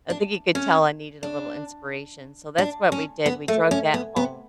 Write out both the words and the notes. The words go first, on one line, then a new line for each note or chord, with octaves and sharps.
I think he could tell I needed a little inspiration. So that's what we did. We drugged that home.
D4
C#4
D4
D4
C#4
B3
A3
C#4
B3
B3